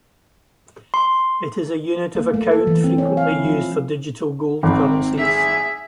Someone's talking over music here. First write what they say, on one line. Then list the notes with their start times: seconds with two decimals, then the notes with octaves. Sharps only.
It is a unit of account frequently used for digital gold currencies.
0.94 C6
2.15 A#3
2.34 A3
2.51 A4
2.67 E3
2.84 C4
2.98 C#4
3.17 F5
3.31 E4
3.45 F3
4.63 G#1 C4
5.19 G#4 E5